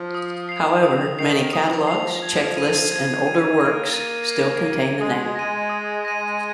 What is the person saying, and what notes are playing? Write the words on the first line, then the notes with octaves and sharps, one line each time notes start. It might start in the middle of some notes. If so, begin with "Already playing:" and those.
However, many catalogs, checklists, and older works still contain the name.
Already playing: F3
D#6
C7 F7
D#3 D#6
D#3 C7 F7
F3 D#6
C7 F7
G#6
D#7
G#6
D#7
A#3 G#6
D#7
G#6
D#7
G#3 D#6
A#6 D#7
D#6
A#6 D#7